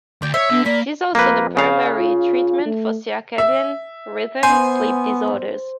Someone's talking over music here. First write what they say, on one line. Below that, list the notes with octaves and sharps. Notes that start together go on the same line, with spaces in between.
It is also the primary treatment for circadian rhythm sleep disorders.
D2 D5 G5
C5 C#5 E5
D3 B3
A#3 D5 B5
F2 A#3 B4
C#3 F5
F4
A3
E5
B3 C5 G#5